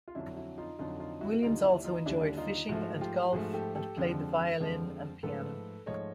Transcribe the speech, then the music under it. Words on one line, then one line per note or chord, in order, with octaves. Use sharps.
Williams also enjoyed fishing and golf and played the violin and piano.
F4
F2 D3 F#3 D4 E4
E4 F#4
D#4 F4
F2 D3 F#3 D#4 F4
D#4 F4
E4 F#4
D#2 D3 G3 D#4 F4
D4 E4
D#4 F4
D#2 D3 G3 D4 E4
D#4 F4
G#2 F3 A3 E4 F#4
F4 G4
G#2 F3 A3 F#4 G#4
G4 A4
G4 A4
F2 D3 F3 G#3
F2 D3 F3 G#3
G#2 F3 A3 A4 B4
G#2 F3 A3 C#5 D#5